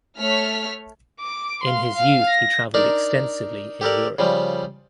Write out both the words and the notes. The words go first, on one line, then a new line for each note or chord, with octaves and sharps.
In his youth he travelled extensively in Europe.
A3 C#5 F6 B6
D6
F5 C6
F5
A#6
D4 D#4 A#4 D5
G4 A4 A#4 D5
C#3 F3 G3